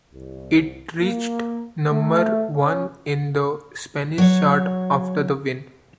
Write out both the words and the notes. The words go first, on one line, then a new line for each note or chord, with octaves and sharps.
It reached number one in the Spanish chart after the win.
C2
A#3
A3
C#4
F#3 C#5